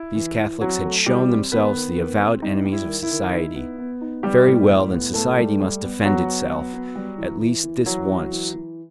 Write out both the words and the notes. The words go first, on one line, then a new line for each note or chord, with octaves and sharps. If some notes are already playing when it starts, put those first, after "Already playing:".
These Catholics had shown themselves the avowed enemies of society; very well, then society must defend itself, at least this once.
Already playing: E4
E3
E3
F#3 C4 F#4
A3
E3 G3 G4
C4
D#3 B3 B4
D#3
D#3
C4
G3 D#4
G3
E4
D#3
E4
D#3
D#4
B3
B3
D#4
G3 B3 G4
A2
A2
B3
A2 A3 A4
G3
G3
B3
F#3 B3 F#4
B3
B3
B3
G3
E3
E3
E3
E3 F#3 F#4
E3
E3
E3